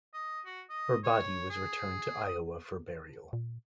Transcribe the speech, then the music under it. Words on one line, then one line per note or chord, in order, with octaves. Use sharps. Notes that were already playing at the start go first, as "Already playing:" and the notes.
Her body was returned to Iowa for burial.
D#5
F#4
D#5
C#5
G#4
D#6
A#2